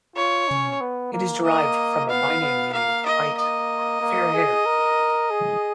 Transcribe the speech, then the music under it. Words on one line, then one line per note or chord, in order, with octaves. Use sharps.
It is derived from a byname meaning "white" or "fair-haired".
F4 C#5
C#4
B3
A#3
A#3 D#5
B3 F5
B3
A#3 F5
D#5
D#5
A#3
G#4
A#4
G#4